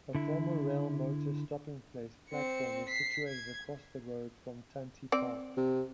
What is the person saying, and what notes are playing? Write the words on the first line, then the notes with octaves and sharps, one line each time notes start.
A former Railmotor Stopping Place platform is situated across the road from Tanti Park.
D3 E4
C4 C#7
B6 C7
G#6
C4 D5
C3